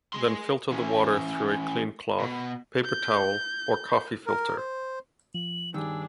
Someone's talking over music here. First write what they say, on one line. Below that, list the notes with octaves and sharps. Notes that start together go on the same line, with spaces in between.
Then filter the water through a clean cloth, paper towel, or coffee filter.
G#4 C6
E3 C#4
B2
G6
A#4
C5
F3 F#7
G2 D#3 D4 G#4 E6